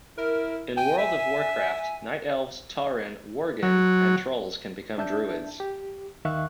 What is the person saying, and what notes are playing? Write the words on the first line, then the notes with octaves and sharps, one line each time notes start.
In "World of Warcraft", Night Elves, Tauren, Worgen, and Trolls can become druids.
E4 A#4
G5 G#5
E5
F#3
D4 E5 A5 G6
G4
D#2 D#3 E5 F5 C#6 F#6